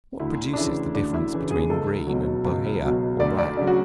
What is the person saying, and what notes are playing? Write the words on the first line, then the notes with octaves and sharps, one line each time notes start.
What produces the difference between Green and Bohea, or Black?
D2 E4
D4
C#3 E3 E4
D2 D4
E4
C#3 E3
G#4
C#2 A4
B2 F#3
C#2
B2 F#3
D2 D5
D5
C#3 F#3 D5
F#4